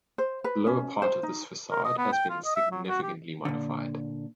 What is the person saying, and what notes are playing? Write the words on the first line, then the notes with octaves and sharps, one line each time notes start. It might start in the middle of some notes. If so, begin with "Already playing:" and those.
The lower part of this façade has been significantly modified.
C5
B4
C#4
C5
D#4
A#4
D#5
B3
G5
F4
D#5
E5
F#3
F#4
G4
A#2 D3